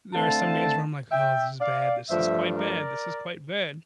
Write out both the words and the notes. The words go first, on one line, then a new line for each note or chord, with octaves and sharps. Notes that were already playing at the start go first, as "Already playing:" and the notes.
there are some days where I'm like, "Oh, this is bad. This is quite bad. This is quite bad."
D3 A3 C4 F5 A5
E5 G5
D5 F5
G2 F3 A3 C5 E5
A#4 D5